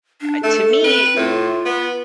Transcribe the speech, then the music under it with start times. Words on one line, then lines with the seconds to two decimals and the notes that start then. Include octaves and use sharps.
uh, to me,
0.21 D4
0.43 A3 A4
0.84 C4 B4
1.16 A2 F4
1.65 B3